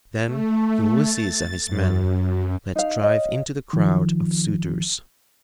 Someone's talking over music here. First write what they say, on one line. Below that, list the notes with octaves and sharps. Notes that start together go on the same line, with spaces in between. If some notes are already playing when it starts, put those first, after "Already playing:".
Then Ulysses and his men let drive into the crowd of suitors.
A3
A6
F#2
D#4 F5
C#5 D#5 F5
D#3 F3